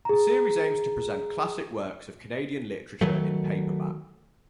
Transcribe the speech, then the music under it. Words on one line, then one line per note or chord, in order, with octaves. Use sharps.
The series aims to present classic works of Canadian literature in paperback.
G#4 A#5
D#3 F#3 A3